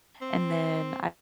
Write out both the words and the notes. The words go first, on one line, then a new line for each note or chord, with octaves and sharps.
and then I've
C4